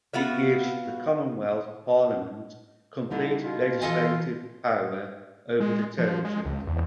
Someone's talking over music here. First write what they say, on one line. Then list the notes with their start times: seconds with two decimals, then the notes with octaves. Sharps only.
It gives the Commonwealth Parliament complete legislative power over the territories.
0.13 B3 F4 F#4 E5
3.11 D3 G3 D#4 E4
3.43 B2 F4
3.82 E3 F3 F4 A4 D#5 G#5
5.60 G#3
5.98 F3
6.24 G#3
6.45 C#2
6.67 E2